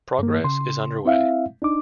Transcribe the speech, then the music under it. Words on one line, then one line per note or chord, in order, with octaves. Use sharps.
Progress is under way.
G2 A#3
C#3 C6
C4 E4 E5 F5
D4 D#4 D6